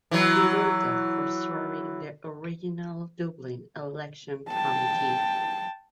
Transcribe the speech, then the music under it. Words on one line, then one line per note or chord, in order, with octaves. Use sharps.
He voted for swearing the original Dublin election committee.
E3 F#3
G5 A5